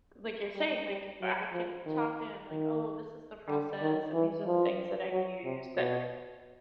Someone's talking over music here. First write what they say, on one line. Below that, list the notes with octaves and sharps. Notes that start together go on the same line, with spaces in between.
like, you're saying. Like, I can talk to him like, "Oh, this is the process and these are the things that I've used." That
G3
G3
F#3
F3
D#3
D#3
D3
D#3
E3
F3
F#3
C3
B2